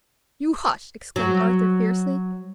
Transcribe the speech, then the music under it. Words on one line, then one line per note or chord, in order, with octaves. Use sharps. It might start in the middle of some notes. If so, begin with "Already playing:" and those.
"You hush!" exclaimed Arthur fiercely.
F#3